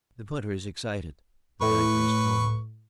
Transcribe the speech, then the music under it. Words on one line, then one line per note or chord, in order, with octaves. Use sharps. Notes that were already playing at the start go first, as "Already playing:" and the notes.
The punter is excited, the banker is calm.
A2 B4 C#6